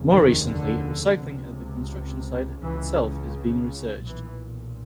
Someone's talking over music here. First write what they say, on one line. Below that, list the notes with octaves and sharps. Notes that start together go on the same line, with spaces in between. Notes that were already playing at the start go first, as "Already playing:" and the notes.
More recently, recycling at the construction site itself is being researched.
Already playing: F1 D#2 C#3
D#3
D3
C#2 C3
C#2 C#3 E3
B1 A#2 E3